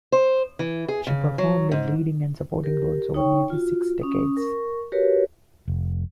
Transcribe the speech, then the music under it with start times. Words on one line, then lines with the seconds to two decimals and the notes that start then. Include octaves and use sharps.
She performed in leading and supporting roles over nearly six decades.
0.12 C5
0.59 E3
0.88 G#4
1.07 C#3
1.38 F#3
1.71 G#2
2.64 G4 A#4
3.14 D#4 C#5 G5 C#6
3.50 F4 F#4
4.01 C#4 D#6
4.37 A#4 C#6
4.92 F#4 G4 A#4 B4 C#5
5.68 F1